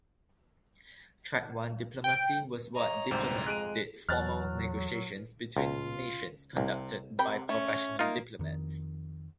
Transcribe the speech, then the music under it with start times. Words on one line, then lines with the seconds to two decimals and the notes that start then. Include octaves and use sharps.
Track One diplomacy was what diplomats did-formal negotiations between nations conducted by professional diplomats.
2.04 G5
2.76 C#5 D#5 A#5
3.11 D2 G#2 C3 G3 C5
3.46 F2 G#3 F#6 D7 D#7
4.09 E2 F#3 F6 F#6 A6
5.57 C#2 F4
6.57 C2 C3
7.19 C3 A#4 G5 B5
7.49 A3 C#4
7.99 A#3 D#4 F4
8.39 F2 D#3